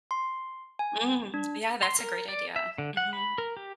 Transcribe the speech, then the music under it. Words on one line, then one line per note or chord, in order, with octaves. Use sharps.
Mm, yeah, that's a great idea. Mhm.
C6
G#5
D4
C6
A#4
D5
E5
D3
F#5
B5
A#4
G4